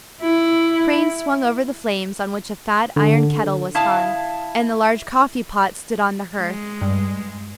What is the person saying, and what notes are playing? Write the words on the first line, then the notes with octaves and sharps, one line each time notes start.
A crane swung over the flames on which a fat iron kettle was hung, and the large coffee-pot stood on the hearth.
E4
D3
E4 F5 A5 D#6
G#3
G2